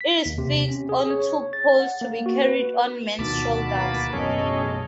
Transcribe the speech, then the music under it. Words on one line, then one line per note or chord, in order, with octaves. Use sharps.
It is fixed on two poles to be carried on men's shoulders.
B6
D#2
C3
C#4
G#4
C#5
A6
F#5
A#3
F#4
B4
D2 B2 D#3 F#4 A5 B5 D6
A#3 B4
A1 F#2 B2 C#4 G#4 A4 C#5 D#5